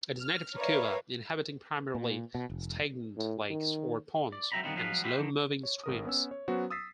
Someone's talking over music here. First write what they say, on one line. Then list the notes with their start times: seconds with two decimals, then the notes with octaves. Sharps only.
It is native to Cuba, inhabiting primarily stagnant lakes or ponds and slow-moving streams.
0.21 F6
0.55 A#4 B4 C#5 D5 E5 F5
1.95 A#2
2.35 B2
2.50 F1
3.17 A2
3.50 D#3
4.32 D5
4.52 C#2 F#3 E5 G5 A#5 B5
4.63 D#3 G3 B3 C4 D#4 F4
4.76 F3 F#3 G#3 B3 B4 F5
5.04 F#4 G4 B4 C5 E5
5.18 D3 D#3 F3
5.63 C#5
5.84 G#1 A#4 D#6
6.05 B3 C#4 E6
6.31 C#5
6.48 F#3 B3 C#4 F#4 C5
6.70 D#6 E6 A6 B6 C7